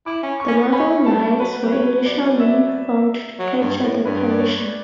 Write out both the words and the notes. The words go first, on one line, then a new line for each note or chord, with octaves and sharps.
The Marvel Knights were initially formed to capture the Punisher.
E4 D6
C#4
C#6
C#4
B3
C#4 B5
G3 A5
F#3 B4
G3
C#5
F#3
D5
E5
F#3
G2
A2
G2 B4
D5
C#5